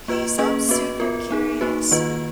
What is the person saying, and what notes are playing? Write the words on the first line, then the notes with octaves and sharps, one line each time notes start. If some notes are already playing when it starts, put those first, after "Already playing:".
Hey, so I'm super curious.
A#3 F4 B4 D#5
A#3 C#4 G#4 B4 D#5
B3 F#4 B4 D#5
B3 F4 A#4
B3 D#4 G#4
A#3 D#4 F#4 B4
D#3 A#3 F4 B4 D#5